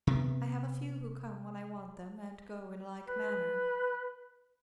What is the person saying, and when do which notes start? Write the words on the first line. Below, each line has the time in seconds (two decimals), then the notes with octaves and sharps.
I have a few who come when I want them, and go in like manner.
0.07 C3 B3
3.08 B4